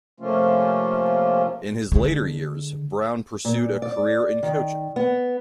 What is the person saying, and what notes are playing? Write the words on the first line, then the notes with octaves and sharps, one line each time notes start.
In his later years, Brown pursued a career in coaching.
C3 F3 A3 A#3 C#4 F4
D3 G#3
A#2
D5
D#3
B3